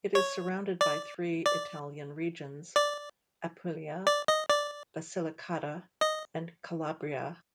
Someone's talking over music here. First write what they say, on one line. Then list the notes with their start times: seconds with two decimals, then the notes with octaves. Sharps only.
It is surrounded by three Italian regions, Apulia, Basilicata, and Calabria.
0.15 C#5
0.81 D5
1.46 D5
2.76 D5
4.07 D5
4.28 D#5
4.49 D5
6.01 D#5